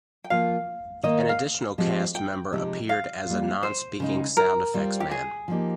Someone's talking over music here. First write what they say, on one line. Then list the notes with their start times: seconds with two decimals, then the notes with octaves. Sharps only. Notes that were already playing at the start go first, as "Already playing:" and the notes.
An additional cast member appeared as a non-speaking sound effects man.
0.24 G5
0.30 F3 A#3 F4 F5
1.03 D#3 A#3 D#4 D#5
1.29 F5
1.78 F3 G#3 C4 G4
2.15 G5
2.52 C3 F3 G#3 D#4 G4
2.89 F5
3.26 G3 A#3 F4
3.63 C5
4.00 C#3 G#3 D#4
4.37 A#4
4.74 G3 C4 F4
5.00 G4
5.11 G#4
5.48 F3 A#3 D#4 G4